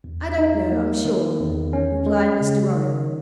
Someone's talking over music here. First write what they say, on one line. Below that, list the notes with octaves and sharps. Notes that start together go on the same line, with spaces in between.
"I don't know, I'm sure," replied Mr. Robin.
E2
D#4
A#3
D#3
E2
C#4
G#3
C#3
D#3